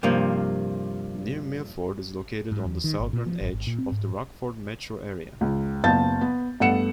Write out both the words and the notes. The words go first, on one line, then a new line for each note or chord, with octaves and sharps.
New Milford is located on the southern edge of the Rockford metro area.
G2 C3 F3 A#3
G#2
E2
D#3
G#1
A#2
F3
G#1
G#1
A#2
C4
G#2
C#2
F#1 B3 F5 A5 G6 A6
B3
G2 A3 B3 F#5 C#7 E7